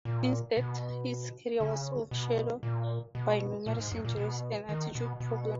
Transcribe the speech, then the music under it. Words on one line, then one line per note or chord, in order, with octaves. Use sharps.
Instead, his career was overshadowed by numerous injuries and attitude problems.
A#2
B2
C#3
B2
A#2
B2
A#2
G#2
F#2
A#2
B2
D#3
B2
B2